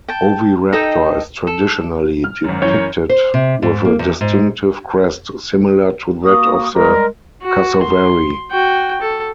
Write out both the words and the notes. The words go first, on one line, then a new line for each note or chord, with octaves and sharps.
"Oviraptor" is traditionally depicted with a distinctive crest, similar to that of the cassowary.
G5 A5
D#4 A4 D#5 G5
A4
F6
G#1 F#2
F#2 E3 C#5 G6
C5
C3
G#2
A#3
E2
G#2
A#3 F#4 D#6
G3 G#3 A#4
F#4
C6
F#4 G5
A4